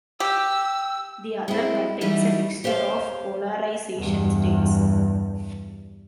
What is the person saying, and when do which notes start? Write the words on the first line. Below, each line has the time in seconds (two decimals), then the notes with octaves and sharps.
The other contains a mixture of polarization states.
0.20 G4 E6
1.48 G#3 C4 E4
2.01 E3 F#3 G3 A3 D#4 E4
2.64 G4 C5 C#5 F5
3.97 E2 G2